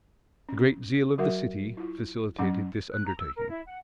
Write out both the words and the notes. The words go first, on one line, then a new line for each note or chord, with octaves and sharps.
The great zeal of the city facilitated this undertaking.
C#4
F#3 F#4 A#4 E5 F#5
E4 F4
F#3 C#4 F#5
F#6
A#5
E6
A#4
E4
F#5